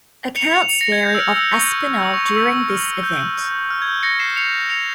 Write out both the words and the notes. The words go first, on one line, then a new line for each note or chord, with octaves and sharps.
Accounts vary of Aspinall during this event.
C#7 F7
C#7 F7
C#7 F7
A#6 C#7
G#6
G6
E6
F6
E6
C#6
E6
C#6
C#6
E6
E6
F6
G6
F6
G#6
G6
A#6 C#7
C7 E7
C#7 F7
C#7 F7